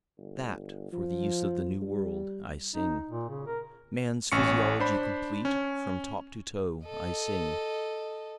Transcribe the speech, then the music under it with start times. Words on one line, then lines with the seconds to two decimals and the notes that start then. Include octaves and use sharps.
That, for the use of the New World, I sing. Man's physiology complete, from top to toe, I sing.
0.18 G1
0.93 F3
1.82 G3
2.74 D#4
3.10 A#2
3.29 C#3
3.47 A#4
4.32 A1 C#4 C#6 C#7
4.80 D4 C5 B5
5.45 C#4
6.86 A4 D#5